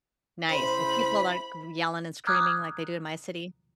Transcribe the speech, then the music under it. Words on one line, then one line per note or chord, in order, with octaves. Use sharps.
Nice, so people aren't c yelling and screaming like they do in my city?
C#3 E4 C5 B5
A#5 D6 D#6 F6 F#6 G#6